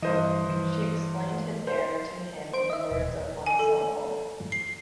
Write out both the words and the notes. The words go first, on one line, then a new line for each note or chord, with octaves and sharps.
She explained his error to him in words of one syllable.
G2 E3 C5 D#5
E3
C5
C5 D7
D#5 E5
D#1
G#5
A4
C7